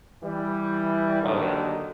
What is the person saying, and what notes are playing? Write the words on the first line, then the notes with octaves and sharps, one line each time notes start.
Oh, yeah.
E3 G3
D#2 D3 D#3 F#3 D#4